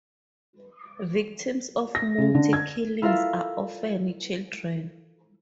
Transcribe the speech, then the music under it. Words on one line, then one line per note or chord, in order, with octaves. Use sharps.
Victims of muti killings are often children.
A#6
C#3
D3
G#6
E4 F4 A4 A#4 E5 F5